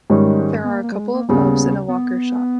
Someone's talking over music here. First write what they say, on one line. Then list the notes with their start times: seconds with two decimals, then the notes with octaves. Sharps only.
There are a couple of pubs and a walkers' shop.
0.10 G#2 D#3 G3 G#3 C#4
0.64 B3
0.69 A#3
0.83 A#3
0.92 G3
0.99 G#3
1.14 A#3
1.29 D#2 C#3 G3 B3
1.88 B3